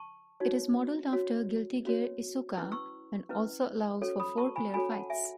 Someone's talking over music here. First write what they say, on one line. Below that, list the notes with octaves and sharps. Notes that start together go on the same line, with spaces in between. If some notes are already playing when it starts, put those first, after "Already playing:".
It is modeled after "Guilty Gear Isuka", and also allows for four player fights.
Already playing: A5 C#6
D#4 F#4 C#5
C#4 F#4 C#5
C#4 F#4 C#5
C#4 E4 B4 E6
C#6 E6
C#4 E4 B4
C#4 F#4 A4 C#5
B5 D#6
A5 C#6
G#5 B5
C#4 F#4 A4 C#5 G#5 B5
F#5 A5
E5 G#5